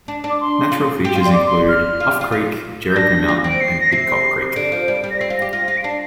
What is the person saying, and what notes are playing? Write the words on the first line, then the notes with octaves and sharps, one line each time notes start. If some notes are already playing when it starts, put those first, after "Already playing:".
Natural features include Hough Creek, Jericho Mountain, and Pidcock Creek.
D4
D4
D6
C6
F4
G4 G5
F4 C6
D4
D6
C6
F6
F4
G4
F4
F4
G6
D4 A#6
F4
C4 D7
C7
A#6
C3 C7
D3 D7
F3
G3
G3
A#6
C4 C7
F4
A#6
G4
F4 A#6
F4
D7
D4 C7